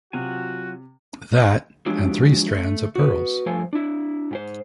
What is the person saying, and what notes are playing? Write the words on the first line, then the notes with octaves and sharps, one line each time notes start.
That, and three strands of pearls!
C3 F#3 F4 F#4 G#5
F3 F#3 G#3 D4 E4 G4
A3
F#4 B4
G2 F3 A3 A4 C5 G#5
D4 E4
G#2 G4 C5